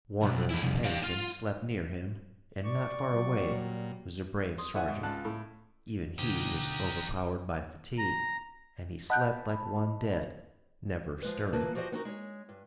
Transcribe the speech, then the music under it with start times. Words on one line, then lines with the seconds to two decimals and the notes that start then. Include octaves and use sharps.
Warner and Pennington slept near him and not far away was the brave sergeant. Even he was overpowered by fatigue and he slept like one dead, never stirring.
0.23 B1
0.50 F2 E4
0.63 C2 F2
0.84 G3 F5
1.04 F4
2.64 D5 C#6
3.13 F#3 G3
3.50 A#2
4.58 C6 D#6
4.74 E4 E5 F#5 G#5
4.88 G#2
5.03 C#2 F4 A5 F#6
5.25 A2
6.18 D2 B2 D#4 G4
7.98 A#5
9.10 D#5 F#5 A5 B5 F#6 G6
11.22 F3 G#3 B4
11.53 D#2 E3 F3 A#3 B4 A5
11.75 F3 F#4 G4 C5 D#5
11.92 B3 D#4 F#4 A#4
12.05 G#3 C#5
12.49 G2